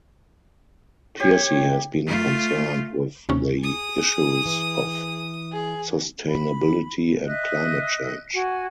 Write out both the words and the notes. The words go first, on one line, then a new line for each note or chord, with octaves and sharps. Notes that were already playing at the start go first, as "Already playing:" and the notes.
Piercy has been concerned with the issues of sustainability and climate change.
G4 C#5
A3 F4
D#2 C3 C#4
G#4 D#6
E3
G#4
B5
D#5 E5 F#6
F#4 G#5